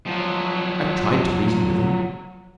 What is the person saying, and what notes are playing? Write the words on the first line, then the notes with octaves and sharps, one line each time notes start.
I tried to reason with him.
F3 F#3